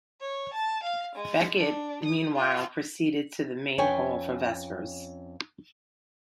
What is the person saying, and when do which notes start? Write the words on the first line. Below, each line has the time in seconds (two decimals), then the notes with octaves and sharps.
Becket, meanwhile, proceeded to the main hall for vespers.
0.20 C#5
0.54 A5
0.83 F5
1.16 G#3
1.57 D4
2.04 D#6
2.35 F4
3.78 F2 C#4 B4 C#5 G5 G#5